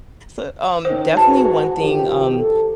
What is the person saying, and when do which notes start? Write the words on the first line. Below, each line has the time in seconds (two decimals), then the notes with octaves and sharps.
So, um, definitely one thing, um,
0.85 D#3 C#4 D#4 C5
1.17 G#2 F#4 B4 A5
1.80 D#3 F3 G4
2.37 A4